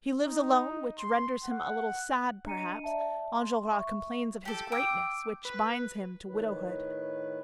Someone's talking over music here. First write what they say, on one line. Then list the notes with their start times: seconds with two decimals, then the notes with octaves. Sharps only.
He lives alone, which renders him a little sad, perhaps; Enjolras complains of his greatness, which binds him to widowhood.
0.24 D#4
0.99 C6
1.44 F#5
2.45 D4 D#5 A#5 C#7 D#7
2.84 D5 E5 A5
3.32 C6
3.71 E5 C#6
4.45 G4 A4
4.72 G5 D6 E6 D7
5.45 B4
6.28 A2 D#3 B4